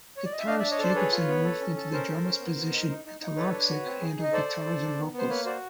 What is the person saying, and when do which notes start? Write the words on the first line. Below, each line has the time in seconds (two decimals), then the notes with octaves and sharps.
Guitarist Jakobson moved into the drummer's position and Talarczyk handled guitars and vocals.
0.17 C#5
0.25 D5
0.32 D#5
0.39 E5
0.47 D4 D#5 F5
0.59 D5 E5
0.64 D4
0.71 C#5 D#5
0.79 A4 C5 D5
0.95 G#4 B4 C#5
1.12 F4
1.28 B3
1.44 A4
1.60 C#4
1.76 A4
1.92 C#4 A#4 C5
2.08 A4
2.24 C#4
2.40 B3
2.56 B3
2.72 D#4
2.89 D#4
3.05 D#4
3.21 D#4
3.36 A4 B4 C#5
3.53 D4
3.69 F#4
3.85 C4
4.01 G#4
4.18 D#4
4.24 D#5
4.33 A4 C5 D5
4.49 A4
4.65 A4
4.82 D4
4.98 B3
5.13 B3
5.18 C5
5.29 A#3 B4 C#5
5.45 F#4 C5 D5